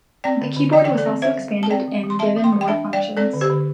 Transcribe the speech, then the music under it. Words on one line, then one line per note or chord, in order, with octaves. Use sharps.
The keyboard was also expanded and given more functions.
C4 D5 G5
D3
D3
E3 D5 G5
E3 D5 G5
A4 D5
C4
C4 C5 E5
G3
G3
A5
C4 D5 G5
E3
E3
C6
C4 E5 A5
E3
G5 C6
E3
G5
D4 E5 A5
G3
D5 G5
G3
C4 A4 D5
D3
G4 C5
D3